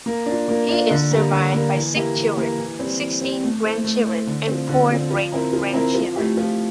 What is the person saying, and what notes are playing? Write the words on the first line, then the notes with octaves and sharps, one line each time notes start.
He is survived by six children, sixteen grandchildren and four great grandchildren.
A#3
D4
F4
A#3
D4 F4
D3
G3 A#3
D3
G3 A#3
E3
A#3 E4 G4
E3
A#3 E4 G4
E3
G3 C4
E3
G3 C4
A3
E4 A4 C5
A3
E4 A4 C5
D3
F3 C4
D3
F3 C4
F3
C4 E4 A#4
F3
C4 E4 A#4
F3
A3 E4 G4
F3